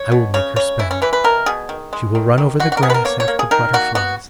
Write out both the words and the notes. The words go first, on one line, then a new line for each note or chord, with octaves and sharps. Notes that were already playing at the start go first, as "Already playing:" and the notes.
I will make her spell. She will run over the grass after butterflies.
Already playing: C#5
B2
C#3 C#5
C#3 C#5
E3 E4
C#4
E3 B4
B4
B2 A#4
B2 G#4
D#3
G#3
D#3
D#3
D#3 F#4
F#4
A#4
B3 G#4
B4
A#4
A#3 C#5
C#5
A#3
G#4
D#3 A#4
A#3 F#4
B3 F#4